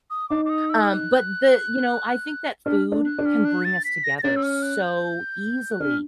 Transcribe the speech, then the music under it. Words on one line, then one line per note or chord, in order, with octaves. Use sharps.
Um, but the you know, I think that food can bring us together so easily,
D#6
D#4 D6
D6
D#6
E6
F#6
D4 F6
D4
F#6
D4
F6
F#6
A6
B6
A#6
A#6
C#4 A6
E6
F6
F#6
G6
F#6
D4 F6